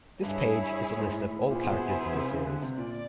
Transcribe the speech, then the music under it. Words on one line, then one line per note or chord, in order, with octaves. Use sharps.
This page is a list of all characters in the series.
G2 E4 G#4 C#5
A2
G#2
A2
A#2 B3 E4 G#4 C5
A#2
B2
B2
C3
C#3
D3
C3
A#2 D5